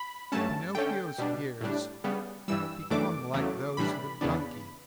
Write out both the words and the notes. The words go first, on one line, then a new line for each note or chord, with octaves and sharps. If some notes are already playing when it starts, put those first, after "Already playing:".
Pinocchio's ears become like those of a Donkey.
Already playing: B5
G2 F#3 A3 C#4 A5
D3 A3 C#4 G5
B2 G3 D4
A2 G3 D4
C#3 G3 B3
G2 E3 G3 E6
F#2 E3 A3 D4 D6
E2 C#3 F#3 A3
A2 E3 G3 D4 B5
E2 C#3 E3 B3 D4